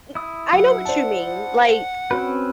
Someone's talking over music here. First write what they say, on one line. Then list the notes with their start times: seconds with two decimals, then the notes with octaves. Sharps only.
n I know what you mean, like
0.15 E4 D#6
0.52 F#3 F#5
0.85 C5 D5 A5
2.11 C4 C#4 F#4 B4